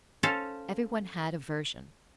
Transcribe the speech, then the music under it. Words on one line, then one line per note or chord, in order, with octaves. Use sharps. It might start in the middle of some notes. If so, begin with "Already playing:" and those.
Everyone had a version.
C#4 A4 C5 F5